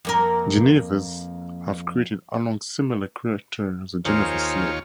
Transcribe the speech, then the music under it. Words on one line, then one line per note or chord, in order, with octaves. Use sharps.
Geneva's have created along similar criteria the Geneva seal.
F2 A#3 A#4
D#2 F4 G#4 A#4 C5 C#5